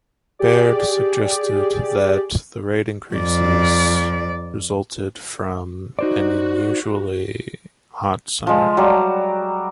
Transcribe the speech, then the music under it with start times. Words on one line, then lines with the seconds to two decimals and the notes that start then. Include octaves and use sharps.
Baird suggested that the rate increases resulted from an unusually hot summer.
0.39 G4 G#4 D5
3.14 F2 D5
5.99 D#4 F#4 C5 D5
8.47 F3 G#3
8.77 F#3 G3